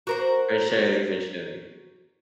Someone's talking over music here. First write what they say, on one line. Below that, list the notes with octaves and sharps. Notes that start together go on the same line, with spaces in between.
for surely, for surely.
F#4 A#4 C5